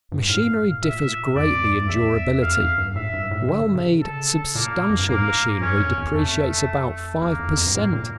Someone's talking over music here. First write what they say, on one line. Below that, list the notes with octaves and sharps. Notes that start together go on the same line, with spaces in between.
Machinery differs greatly in durability; well-made, substantial machinery depreciates about five per cent.
G2
A2 F5
A#2 E5
F2 D5
E2 E5
F2 F5
F2
G2
A2 E5
G2
A2
D3
C#3
A4
A#2 A#3
F2
G2
A2 A#3
G2 C#4
F2
E2
F2 A3
E2 A#3
F2
F2
G2
A2 A#3
A#2